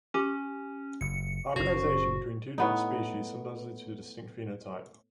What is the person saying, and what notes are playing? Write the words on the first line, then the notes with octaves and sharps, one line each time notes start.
Hybridization between two different species sometimes leads to a distinct phenotype.
C#4 G4 D6
F#1 C#7
F#1 B2 C#4 F#4 C5 C#6
A2 B3 D#4